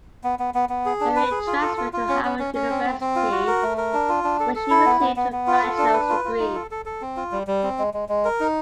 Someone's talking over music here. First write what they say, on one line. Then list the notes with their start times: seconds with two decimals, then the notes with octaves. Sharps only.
Berry transferred to Howard University, where she received her bachelor's degree.
0.24 B3
0.39 B3
0.54 B3
0.69 B3
0.85 G#4
1.00 D4
1.16 B4
1.31 G#4
1.47 F4
1.62 A4
1.77 F4
1.93 F4
2.09 C#4
2.25 C#4
2.39 C#4
2.54 C#4
2.70 C4
2.85 C4
3.01 C4
3.16 F4
3.32 F#4
3.47 A#4
3.62 A3
3.78 A#4
3.93 D4
4.09 F4
4.24 D4
4.40 A4
4.55 A4
4.70 E4
4.86 B3
5.01 B3
5.16 B3
5.32 B3
5.47 F4
5.63 A4
5.78 D4
5.93 B4
6.09 F4
6.25 F4
6.39 D#4
6.55 A4
6.71 A4
6.86 A4
7.01 C4
7.16 F4
7.32 G3
7.47 G3
7.63 C4
7.79 G#3
7.94 G#3
8.09 G#3
8.25 A#4
8.40 D#4